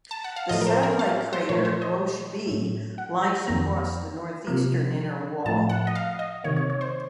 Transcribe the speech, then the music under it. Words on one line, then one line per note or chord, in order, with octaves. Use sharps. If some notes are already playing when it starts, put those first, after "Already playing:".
The satellite crater Roche B lies across the northeastern inner wall.
A5
F#5
F5
A2 F3 A3 D#5
A#4
C5
A#4
F5
C5
A#2 F3 A3 C#5
C5
D#5
A2 F#3 A3
F#5
A#5
F2 D#3 A#3 A#5
C3 F3 A#3
A2 F3 A3 A5
F#5
D#5
F5
D#5
C3 D#3 A#3 C#5
C#5
C#5
C5